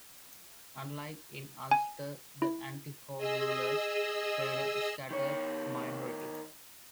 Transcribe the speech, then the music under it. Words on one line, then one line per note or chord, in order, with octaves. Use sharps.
Unlike in Ulster, the anti-Home Rulers were a scattered minority.
G#5
E4
G#4 D#5 E6
D#3 C#5